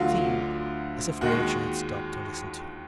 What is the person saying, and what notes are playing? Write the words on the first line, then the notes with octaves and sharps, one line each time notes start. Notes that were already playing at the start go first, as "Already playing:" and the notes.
It seemed as if Nature had stopped to listen too.
Already playing: D2 D3 F#3 F4 F5
D#2 D#3 G#3 F#4 F#5